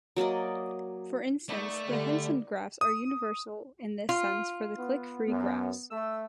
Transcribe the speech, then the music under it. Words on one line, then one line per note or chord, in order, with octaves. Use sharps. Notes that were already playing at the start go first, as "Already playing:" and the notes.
For instance, the Henson graphs are universal in this sense for the -clique-free graphs.
F#3 A#3 D5 D#5
A3 A#3 D#4 D5
D3 G3
D#6
F4
B3
F#2 B3
A3 E6